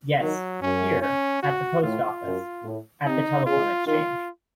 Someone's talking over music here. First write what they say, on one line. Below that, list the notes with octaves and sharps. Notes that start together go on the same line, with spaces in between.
Yes, here; at the post office — at the telephone exchange.
D#3 F#3
F#2 C#4
C#4
F#4
A2 F4
F#2
A2
C3 D#4
C#3 F4
D#3 F4